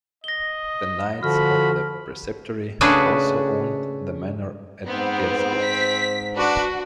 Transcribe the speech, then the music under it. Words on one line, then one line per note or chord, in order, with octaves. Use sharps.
The knights of the preceptory also owned the Manor at Gaddesby.
D#5 A#6 G7
D3 F3 F#4 B5 F6
C#3 A3 D4 F#4 G#4 B4
G#2 B3 C4
B6
D4 F#4 B4